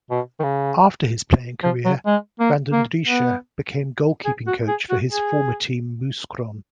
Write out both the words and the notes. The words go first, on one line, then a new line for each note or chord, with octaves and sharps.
After his playing career, Vandendriessche became goalkeeping coach for his former team Mouscron.
B2
D#3
C#3
F3
F#3
G#3
A#3
A#3
B3
G#4
F#4
G#4
F#4
G#4